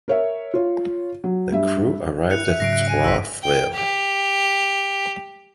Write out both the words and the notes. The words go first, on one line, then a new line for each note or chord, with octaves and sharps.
The crew arrived at Trois Freres.
A#4 C#5 E5
F4 C#5
F#3
G2 E5
E4 F#6 C#7 F7
E5
G#2 C#3 F#3 A#6 C7 D7
F#6 D7
G#5 D#7
A#1 C5 E6 B6
G5
G4